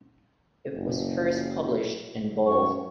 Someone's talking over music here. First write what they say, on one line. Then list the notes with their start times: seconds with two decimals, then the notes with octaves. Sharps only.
It was first published in Bull.
0.74 F#1
2.47 F#2 C#6